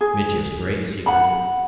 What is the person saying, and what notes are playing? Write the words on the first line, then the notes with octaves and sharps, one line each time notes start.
Mitya's Great Secret.
G#4
F#5 B5